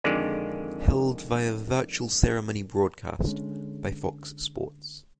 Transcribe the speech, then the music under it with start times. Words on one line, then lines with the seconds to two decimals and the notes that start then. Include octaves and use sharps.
Held via virtual ceremony broadcast by Fox Sports.
0.04 F2 D3 D#3 G#3 D5
3.26 D3 G#3 C#4